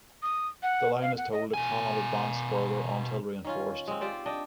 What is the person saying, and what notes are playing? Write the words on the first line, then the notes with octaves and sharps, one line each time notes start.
The line is told it cannot advance further until reinforced.
D#6
F#5
F5
F#5
D#5
B2 G#5
D#3 C#4 F4
G#3 C4
F4 G4 C5 D5
D4 D#5 G5